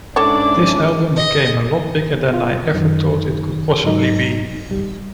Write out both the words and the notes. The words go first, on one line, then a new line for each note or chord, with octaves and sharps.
This album became a lot bigger than I ever thought it could possibly be.
G#2 C#4 D4 E4 A4 C#5 D6
D#5
F4
F#2 D#3
G#2 F#3 D#4
G3